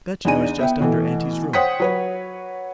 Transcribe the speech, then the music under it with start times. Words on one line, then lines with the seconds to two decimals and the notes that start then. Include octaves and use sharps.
That you know is just under auntie's room.
0.25 E2 D4 D#4 G#5 D#7
0.59 B3 E5 G5
0.80 B2 E3 A3
1.53 C5 C#5 F#5 G5 D#6 B6
1.80 F#3 B4 C#5